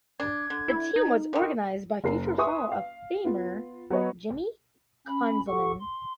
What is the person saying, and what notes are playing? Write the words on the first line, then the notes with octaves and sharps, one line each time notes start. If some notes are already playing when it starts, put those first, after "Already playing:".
The team was organized by future Hall of Famer, Jimmy Conzelman.
D4 G#6
D3
E4
D#4
D3 D#3
F#1 A#4 C7
B4 E5 G#5 C6 C#6 D#6
F5
B3 F4
F#3 B3 C#5 D#5
C#4 B5
G4 A4 F#5 C#6
C6